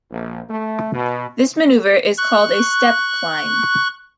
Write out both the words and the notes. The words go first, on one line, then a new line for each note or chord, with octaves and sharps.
This maneuver is called a step climb.
A#1
A3
B2
C#6 F#6